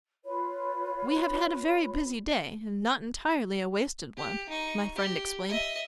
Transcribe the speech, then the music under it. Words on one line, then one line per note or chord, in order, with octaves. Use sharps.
"We have had a very busy day, and not entirely a wasted one," my friend explained.
F4 B4 C#5 B5
G4
D#4 C#6
G4
D#5 E5